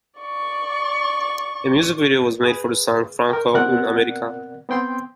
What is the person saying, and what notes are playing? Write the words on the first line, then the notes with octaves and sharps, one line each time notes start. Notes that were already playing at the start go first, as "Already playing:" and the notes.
A music video was made for the song, "Franco Un-American".
D5 C#6
G#4 B4
A#4 G5
B2 C4 A#4 D5 F#5 F#6
B3 C4 G5 C6 G6